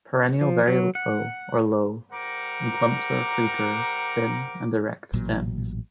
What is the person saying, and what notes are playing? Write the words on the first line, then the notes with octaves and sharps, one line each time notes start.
Perennial very low or low, in clumps or creepers; thin and erect stems.
F3
F#3
F#5
G3 A#4 C5 F#5 A#5 D6
A1 A#2 F#3